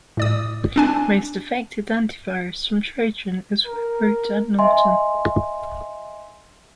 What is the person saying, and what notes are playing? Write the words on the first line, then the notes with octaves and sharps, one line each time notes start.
Most affected antivirus from Trojan is Webroot and Norton.
A2 D5 D#6
C4 D4 G#5
A#4
D#5 E5 G#5 C6